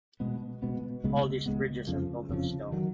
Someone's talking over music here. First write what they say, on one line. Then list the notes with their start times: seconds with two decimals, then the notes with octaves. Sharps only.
All these bridges are built of stone.
0.20 B2 G#3 B3
0.62 B2 G#3 B3
1.04 C#2 C#3 G#3 B3
1.46 C#2 C#3 G#3 B3
1.87 F2 C#3 F3
2.29 F2 C#3 F3
2.72 D#3 F#3